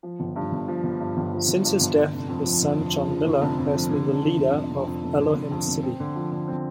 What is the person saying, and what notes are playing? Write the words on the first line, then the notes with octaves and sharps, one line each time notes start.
Since his death, his son John Millar has been the leader of Elohim City.
F3
G1
G2
G1
F3
G1
G2
G1
F3
G1
G2
G1
D3
F1
F2
F3
D3
F1
F2
F3
D3
F1
F2
F3
D3
F1
F2
F1
D3
F1
F2
F1
D3
F1
F2
F1
C4
D3
F3
D3
C4